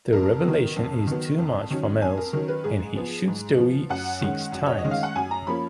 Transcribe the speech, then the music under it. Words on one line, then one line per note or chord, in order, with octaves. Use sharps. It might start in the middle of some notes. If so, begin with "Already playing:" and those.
The revelation is too much for Mills and he shoots Doe six times.
F2 A#4
D#3 F#3 B3
F2
D#3 F#3 B3
F2
D#3 F#3 C#4
F2 G#5
A#4
D#3 F#3 C#4 A#4
B4
G#2 G#4
F3 B3
G#2
F3 B3
F#2 F#5
D#3 G#3 C#4
F#2
C#5
D#5
D#3 G#3 C#4
F5
F#5
F#2 G#5
A#5
F3 A#3 C#4 B5